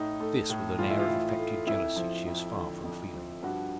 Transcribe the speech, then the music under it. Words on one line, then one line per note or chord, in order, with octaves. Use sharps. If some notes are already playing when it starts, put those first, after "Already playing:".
This, with an air of affected jealousy, she is far from feeling.
Already playing: A2 D#4
A3
A2
E3 F4
E4
F4
A2
A3
F2 E4
F3
F2
D3
F2
F3
G2 F#4